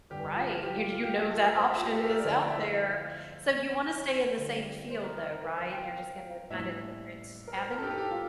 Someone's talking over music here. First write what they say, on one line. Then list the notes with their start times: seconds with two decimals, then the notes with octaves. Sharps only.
Right, you j you know that option is out there. So, you wanna stay in the same field, though, right? You're just gonna find a different avenue?
0.10 G1 G2 D3 G3 G4
0.36 F4
0.57 F4
0.63 G4
0.77 F4
0.91 F4
1.04 G4
1.16 F4
1.30 A4
1.43 A#4
1.57 C5
1.70 E5
1.77 F4
1.83 G4
1.93 A4
1.97 G4
2.10 A#4
2.19 D5
2.23 E2 D3 F3 A3 D4 C5
2.36 D5
2.50 E5
2.59 F5
2.63 E5
4.37 E2 D3 G3 C4
4.90 C5
5.03 A#4
5.17 A#4
5.30 A#4
5.44 A#4
5.57 C5
5.70 G5
5.83 F5
6.51 A1 A2 G3 A#3 D4 E5
7.48 A#4
7.57 C5
7.71 A#4
7.78 A4
7.84 G4
7.91 A4
7.98 G4
8.11 F4